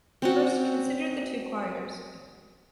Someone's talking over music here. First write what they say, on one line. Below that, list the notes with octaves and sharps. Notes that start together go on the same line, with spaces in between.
First, consider the two quieters.
C4 C#4 F#4